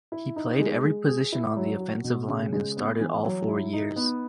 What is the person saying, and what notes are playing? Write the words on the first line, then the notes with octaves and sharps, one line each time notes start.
He played every position on the offensive line and started all four years.
E4
D#4
G#3
G#3
G#4
E4
F#3
F#4
B2
C#3
G#3
B3
E3
F#3
E4
D#4
B3